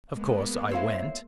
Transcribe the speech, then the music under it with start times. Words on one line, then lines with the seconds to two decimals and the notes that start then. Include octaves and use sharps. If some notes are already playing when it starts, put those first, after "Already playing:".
Of course I went.
0.13 G#3 A#3 B3
0.71 C4 E4 C5 C#5 F5